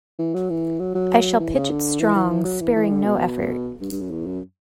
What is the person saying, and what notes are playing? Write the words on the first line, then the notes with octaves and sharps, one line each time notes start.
I shall pitch it strong, sparing no effort.
E3
F#3
E3
F#3
F#3
E3
C#3
D3
E3
E3
E3
F#3
E3
E3
D3
B2
G2
G2
F#2
E2
F#2